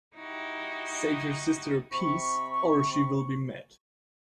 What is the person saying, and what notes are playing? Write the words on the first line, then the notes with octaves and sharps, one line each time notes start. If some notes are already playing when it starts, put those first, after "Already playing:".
Save you sister a piece, or she will be mad.
D#4 E4 F#4 G4
C3 B5 C#6